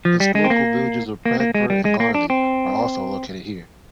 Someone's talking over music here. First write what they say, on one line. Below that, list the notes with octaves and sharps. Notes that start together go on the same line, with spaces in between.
Historical villages of Pragpur and Garli are also located here.
F3
G3
G#3
C4
A#3
A#3
A#3
G#3
G3
G#3
A#3
D4
C4